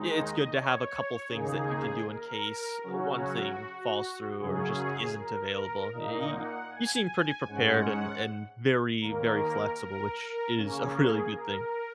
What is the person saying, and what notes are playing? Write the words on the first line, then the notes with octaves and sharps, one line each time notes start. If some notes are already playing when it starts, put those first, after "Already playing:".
it's good to have a couple things that you can do in case, uh, one thing falls through or just isn't available. Y you seem pretty prepared and and very, very flexible, which is a really good thing.
Already playing: D#2 D#3 G#3 D#4
D#5
C#5
D#2 C#3 A#3 D#4 G#4
A#4
C#3 F#3 C#4 F#4
F#2 C#3 F#3 C#4 G#4
A#4
A#2 A#3 D#4 D#5
F#5
G#5
G#2 G#3 C#4 F#5
D#2 D#3 A#3 A#4
A#4
C#3 A#3 C#4
G#4
A#4